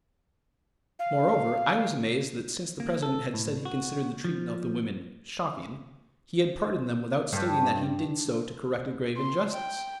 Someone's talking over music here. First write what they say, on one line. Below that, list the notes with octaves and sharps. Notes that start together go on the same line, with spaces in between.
Moreover, I was amazed that since the President had said he considered the treatment of the women "shocking," he had pardoned them without stating that he did so to correct a grave injustice.
F5
A#3
A4
A2
F#4
F3
G2
C6
G5